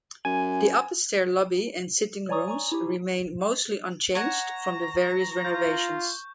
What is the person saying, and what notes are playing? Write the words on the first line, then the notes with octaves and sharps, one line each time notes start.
The upper stair lobby and sitting rooms remain mostly unchanged from the various renovations.
F#2 G#5
C#5 D5 G#5 A#5 C#6 D#6
G#5 A#5 C#6
E4 G4
C#5 F#5 A#5 C#6
F4 G6